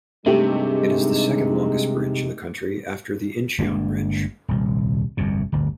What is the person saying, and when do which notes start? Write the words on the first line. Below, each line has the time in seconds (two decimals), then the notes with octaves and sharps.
It is the second longest bridge in the country after the Incheon Bridge.
0.26 G2 C3 G#3 A3 D#4 G4
3.58 G1 G#3 A#3 D4
4.48 D#1 C2
5.17 G1 C2 F2 C3
5.52 D1 G1 D2